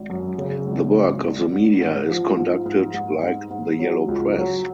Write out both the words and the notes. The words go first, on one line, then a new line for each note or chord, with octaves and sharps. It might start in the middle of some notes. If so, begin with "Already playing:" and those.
The work of the media is conducted like the yellow press.
Already playing: G#1
F#2
C#3
G#1
G#1
G#1
G#2
G#2
F3
G#2
G#2
G#2
G#2
G#2
F#3
C#2
F#3